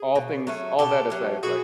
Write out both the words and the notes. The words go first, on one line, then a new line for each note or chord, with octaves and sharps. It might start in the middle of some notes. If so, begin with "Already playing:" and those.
all things all that aside, like,
Already playing: G#4
B2
F#3 A3 C#4
B2 G4 A4
F#3 A3 C#4
B2 F#4 G#4